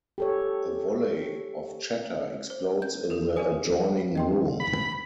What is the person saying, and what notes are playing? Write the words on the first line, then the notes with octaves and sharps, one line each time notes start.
A volley of chatter explodes in the adjoining room.
G4 A4 C#5
C5
G6
A4 A#4
G4 G#4 A#4 D5 G#5 D#6
D#5 G5 C6
B5